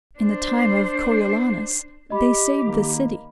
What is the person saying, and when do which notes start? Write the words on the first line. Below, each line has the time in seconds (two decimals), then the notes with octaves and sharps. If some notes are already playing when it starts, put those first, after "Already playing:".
In the time of Coriolanus they saved the city.
0.19 D4 C5
2.10 G4 D#5 B5
2.65 D#3 A#3